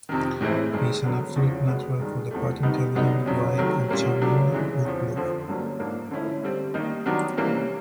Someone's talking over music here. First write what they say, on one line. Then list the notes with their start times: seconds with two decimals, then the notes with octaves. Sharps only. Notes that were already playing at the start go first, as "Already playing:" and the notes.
He's an absolute natural for the part-intelligent, wry, and charmingly good looking.
0.09 F2 C3 D#3
0.41 A2 E3 G#3 C4 E4
0.72 G2 D#3 G#3
1.04 D3 F#3 B3
1.36 E2 C#3 F3
1.68 B2 G#3 B3
1.99 G2 D#3 G#3
2.31 E2 C3 F3 A3
2.63 D#3 G3 B3 D#4
2.95 G2 D3 F#3 B3 D#4
3.26 F2 C#3 F#3
3.57 C3 D#3 F#3 A3
3.89 A#2 G3 A#3 C#4
4.21 C#3 F#3 A3 D4
4.52 C#3 E3 G#3
4.85 E2 C#3 F3
5.16 F2 D3 F3
5.48 G2 D3 F#3 A#3 C#4
5.79 G#2 F3 A#3 D4
6.11 D3 F3 A3 C#4 E4
6.43 D3 G3 C4
6.74 D#3 G3 A#3 D#4
7.06 D#3 F#3 B3 D4
7.37 C3 E3 G3 A#3 C#4